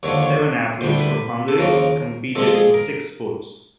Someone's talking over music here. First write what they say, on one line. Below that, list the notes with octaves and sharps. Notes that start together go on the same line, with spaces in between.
Seven athletes from Hungary competed in six sports.
D#2 D3 F3 C#5
C#5
D2 D3 G3 C5
B4
A4
D#2 C#3 F3 A#4
A#2 F3 G#3 A4
G#4
A#4